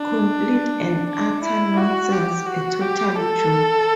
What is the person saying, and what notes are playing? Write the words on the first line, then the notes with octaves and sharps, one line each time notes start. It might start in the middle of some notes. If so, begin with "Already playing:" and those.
Complete and utter nonsense, a total joke.
Already playing: D4
D4
E4
F#4
G4
F#4
G4
A4